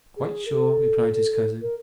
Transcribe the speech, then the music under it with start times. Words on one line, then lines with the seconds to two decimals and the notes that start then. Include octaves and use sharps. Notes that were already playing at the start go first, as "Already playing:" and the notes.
'Quite sure,' replied his cousin.
0.17 G#4
0.46 A#4
0.50 A4
1.62 A#4